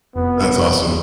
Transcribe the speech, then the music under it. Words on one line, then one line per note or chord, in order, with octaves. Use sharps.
That's awesome.
F1 B3